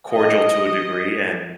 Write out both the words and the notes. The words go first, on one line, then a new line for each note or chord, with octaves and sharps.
cordial to a degree and
D#5